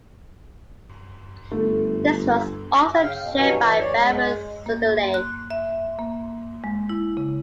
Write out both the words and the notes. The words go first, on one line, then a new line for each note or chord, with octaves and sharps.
This was also chaired by Baron Sudeley.
G1 A3
C#3 F5 G5
B2
G2 B2 E3 F#3 C#4
E3
D2 C#5 D5
G#3
A#3
F#6
E5
A#3
G#3
E4
C#3